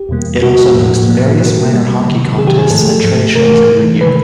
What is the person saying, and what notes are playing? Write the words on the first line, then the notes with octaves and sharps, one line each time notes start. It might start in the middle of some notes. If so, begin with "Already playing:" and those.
It also hosts various minor hockey contests and trade shows every year.
Already playing: G4
E2 B2 G3 A#3
E2 B2 G3 A#3 F#4
A2 F3 A#3
A2 F3 A#3
B2 G3 A#3
B2 G3 A#3
C3 D#3 F#3
C3 D#3 F#3 G#4
G4
G#4
G#2 F3 A3 A4
G#2 F3 A3
C3 E3 A3 A#4
C3 E3 A3
C3 D#3 G#3 B4